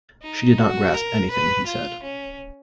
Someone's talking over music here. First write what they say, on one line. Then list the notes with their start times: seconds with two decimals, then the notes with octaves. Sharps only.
She did not grasp anything he said.
0.22 D#4
0.58 F#4
0.94 A#4
1.30 B4
1.67 F4
2.03 C#4